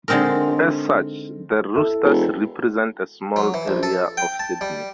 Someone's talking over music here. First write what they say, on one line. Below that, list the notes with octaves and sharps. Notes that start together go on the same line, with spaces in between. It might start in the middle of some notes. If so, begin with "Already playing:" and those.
As such, the Roosters represent a small area of Sydney.
D3 G#3 C4 D#4 A#4
E4 A4
E1
F#3
E3
A#1
A4
G5
A5
G3